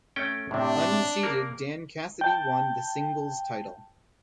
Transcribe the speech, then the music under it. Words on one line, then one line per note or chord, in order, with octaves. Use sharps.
Unseeded Dan Cassidy won the singles title.
A3 C#4 G5
A2 C3 D4
A#3 A#4
G5 A5